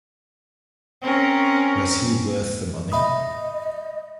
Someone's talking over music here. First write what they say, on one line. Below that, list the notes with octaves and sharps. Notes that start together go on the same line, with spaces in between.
Was he worth the money?
C4 C#4 A#4
D#5 E5 B5 D#6